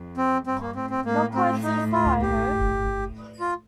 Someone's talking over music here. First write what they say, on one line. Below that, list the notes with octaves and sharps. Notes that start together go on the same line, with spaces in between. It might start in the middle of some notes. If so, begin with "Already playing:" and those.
Not quite so far, I hope?
Already playing: F2
C4
G2 C4
A#3
A2 C4
C4
A2 A#3
C4
D#4
F4
G4
F4